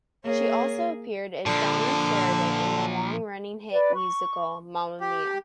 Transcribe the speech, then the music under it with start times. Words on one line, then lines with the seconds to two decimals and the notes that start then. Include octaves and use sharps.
She also appeared as Donna Sheridan in the long-running hit musical, "Mamma Mia!".
0.24 A#3 G#4 C#5
1.46 A#2 D3 F3 A4 D5
3.71 B4 D5
3.95 C#6
5.01 G4